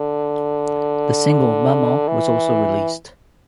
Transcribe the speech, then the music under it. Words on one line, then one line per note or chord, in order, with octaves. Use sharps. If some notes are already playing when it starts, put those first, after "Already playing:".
The single "Maman" was also released.
Already playing: D3
E3